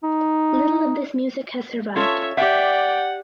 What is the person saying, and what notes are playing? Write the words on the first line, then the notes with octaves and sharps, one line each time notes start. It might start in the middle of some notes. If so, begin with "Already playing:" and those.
Little of this music has survived.
D#4
C#4 F4 A4 C#5 E5
G4 D5 E5 F#5 G5